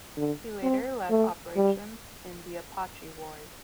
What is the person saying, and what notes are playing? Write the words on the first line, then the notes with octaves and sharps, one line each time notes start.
He later led operations in the Apache Wars.
D3
C4
A3
G3